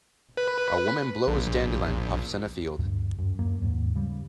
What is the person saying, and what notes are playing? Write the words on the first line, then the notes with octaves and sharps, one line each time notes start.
A woman blows dandelion puffs in a field.
B4
A#1
D2 G2
F#2
F#2 A#3
D#2 G#2
C#3 G3